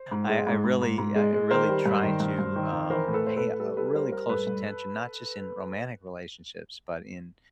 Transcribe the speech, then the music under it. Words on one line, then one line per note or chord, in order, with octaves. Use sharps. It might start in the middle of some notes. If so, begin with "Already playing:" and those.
I I really I really try to, um, pay, uh, really close attention, not just in romantic relationships, but in,
Already playing: C5
G#2
G#3
G#2
G#2
G#2
G#2
G#3
G#3
D#3 A#4 C5
G3
G2
D#3
G2
G2
D#3
D#3
E3 A#4 C5
A2
A4 B4
A2 C5
A4 B4
A2
G3 A4 B4
G3 A4 B4
G3 A#4 C5
G3 A#4 C5
G2 A4 B4
G2